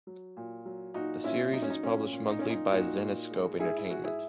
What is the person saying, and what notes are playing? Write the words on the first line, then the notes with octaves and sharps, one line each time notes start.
The series is published monthly by Zenescope Entertainment.
F#3
A#2
F#3
A#2 D#4 F#4
A#2 C#4 E4
F#3 D#4
C#4
D#4
A#2 C#4
A#2
D#4
A#2 C#4
D#4
A#2 D#4 F#4
A#2
G#3
G#2 E4 G#4
E4
G#2 F#4
E4 G#4